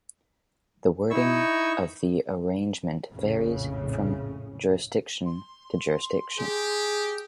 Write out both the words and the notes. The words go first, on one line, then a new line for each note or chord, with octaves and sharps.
The wording of the arraignment varies from jurisdiction to jurisdiction.
D#4 E4 C#6 E6
A#1 F2 A2 C#3
C6
G4 G#4